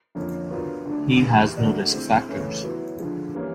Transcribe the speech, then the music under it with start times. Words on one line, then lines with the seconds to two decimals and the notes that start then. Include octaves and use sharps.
He has no risk factors.
0.15 F2 D3 F3 A#3 C#4
0.51 F#3 B3 D4 F4 A#4
0.86 D3 F#3 A3 D4
1.21 G#2 E3 G3 A#3
1.57 A3 D4 F#4 A#4 D5
1.93 G#3 C4 E4
2.28 C#3 E3 A3 C#4
2.63 F#3 B3 E4
2.99 D3 F3 G#3
3.34 E3 G3 A#3 C#4